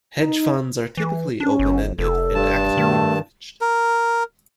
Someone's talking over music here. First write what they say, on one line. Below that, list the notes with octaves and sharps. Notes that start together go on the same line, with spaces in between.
Hedge funds are typically open-ended and actively managed.
D#4
E3
C#4 D4
G1
F1 A4
G2 A5
D#3 A3
A#4